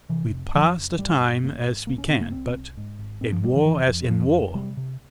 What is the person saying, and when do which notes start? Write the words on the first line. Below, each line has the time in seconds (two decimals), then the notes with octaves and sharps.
We pass the time as we can, but in war as in war!
0.09 C3 E3
0.31 F1
0.54 F1 F3
0.77 F1
0.98 G#1 G3
1.21 G2
1.43 G#1 A#3
1.65 G#1
1.87 C2 A#3
1.98 C#4
2.09 C3 C4
2.21 A#3
2.32 C2 C4
2.54 C2
2.77 G#2
2.99 G#1
3.21 G#2 C4
3.32 F3
3.44 G#1 G3
3.55 E3
3.65 F1 E3
3.88 F2
4.10 F2 F3
4.33 F1
4.54 C3 G3
4.77 C3